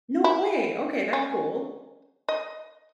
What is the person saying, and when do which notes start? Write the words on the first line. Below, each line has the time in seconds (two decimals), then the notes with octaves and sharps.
No way, okay, that's cool.
0.24 E4
1.13 C#4
2.29 D#5